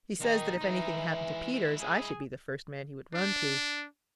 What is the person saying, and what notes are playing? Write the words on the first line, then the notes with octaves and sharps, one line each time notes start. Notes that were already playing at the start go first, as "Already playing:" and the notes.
He says that if anything happened to Peters, I should be the first man he would run to.
A#2 D#3 D#4 G#4
E3 G#3 E4
G#4
D4